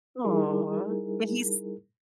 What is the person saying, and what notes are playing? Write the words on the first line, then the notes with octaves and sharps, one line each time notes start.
Aw, but he's
G3 D#4 E4 G#4 A#4